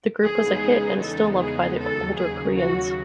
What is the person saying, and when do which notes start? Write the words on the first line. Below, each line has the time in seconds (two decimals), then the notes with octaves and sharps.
The group was a hit and is still loved by the older Koreans.
0.24 E2 C#3 G#3 B3 D#4 G#4
1.01 A4
1.41 G#4
1.79 D#2 C#3 F#3 A4
2.18 G#4
2.57 F#4